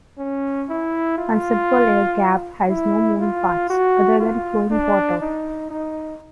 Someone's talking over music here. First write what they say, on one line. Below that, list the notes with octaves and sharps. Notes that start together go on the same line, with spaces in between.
A simple air gap has no moving parts, other than flowing water.
C#4
E4
F4
E4
F4
F#4
F4
D4
D#4
D#4